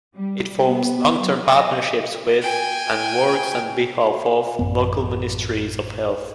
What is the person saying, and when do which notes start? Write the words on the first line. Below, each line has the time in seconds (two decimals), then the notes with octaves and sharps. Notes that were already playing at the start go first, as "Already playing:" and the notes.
It forms long-term partnerships with, and works on behalf of, local ministries of health.
0.14 G3
0.64 B3
1.17 F#3
1.47 D#5
2.41 G5 G#5
4.59 A1 F#2 B3